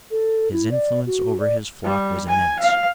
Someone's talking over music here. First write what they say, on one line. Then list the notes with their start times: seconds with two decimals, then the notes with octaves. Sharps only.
His influence over his flock was immense.
0.11 A4
0.53 E4
0.71 D5
1.07 F#4
1.40 D5
1.84 G3
2.29 G#5
2.60 F5